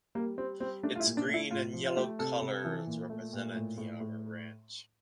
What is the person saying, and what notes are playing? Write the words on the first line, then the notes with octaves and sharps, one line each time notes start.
Its green and yellow colors represented the armor branch.
G3 A#3
G3 C4
G3 C4
A3 D4
F4
E4
A#2
D4
A3
E4
A2 F4
F3
F4
A3 G4
C3 A4
C3
E3
A#2
A3
A#2
A2
A2
A2